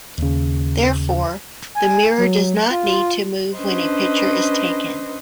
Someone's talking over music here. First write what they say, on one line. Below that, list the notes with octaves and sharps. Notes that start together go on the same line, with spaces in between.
Therefore, the mirror does not need to move when a picture is taken.
D#2 C#3
G#5
F#3
F4
C#4 D4 B4 C5 D#5